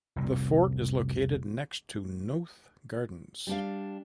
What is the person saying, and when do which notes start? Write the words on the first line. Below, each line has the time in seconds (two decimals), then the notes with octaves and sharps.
The fort is located next to Nothe Gardens.
0.16 F1 C2
3.47 G3 D4 F5